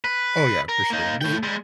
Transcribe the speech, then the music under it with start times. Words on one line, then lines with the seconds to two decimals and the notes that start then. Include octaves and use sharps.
Oh, yeah, for sure. The
0.04 B4
0.69 A#4
0.90 A#3 D#4
1.21 A3 G5
1.43 G3 G#3